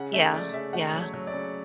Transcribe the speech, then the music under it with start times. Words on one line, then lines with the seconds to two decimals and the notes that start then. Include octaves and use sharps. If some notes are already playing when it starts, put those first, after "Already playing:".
Yeah, yeah.
Already playing: C#3 F#5
0.13 A3 E5
0.33 A3 D5
0.53 C#3 E5
0.73 A3 F#5
0.94 F#3
1.01 C#5
1.14 F#3
1.27 D5
1.33 C#3